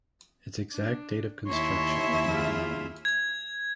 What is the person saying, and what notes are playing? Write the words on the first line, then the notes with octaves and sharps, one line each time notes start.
Its exact date of construction is not known.
D4
D#2 E4 C#5 E5 C6
F4 G#4
G#6